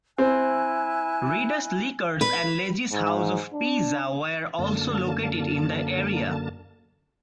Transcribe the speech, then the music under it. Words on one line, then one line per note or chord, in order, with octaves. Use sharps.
Reda's Liquors and Lizzi's House of Pizza were also located in the area.
C4 E4 G#5 F#6
B4
G#2
D4
F#2 D3 A#3 A5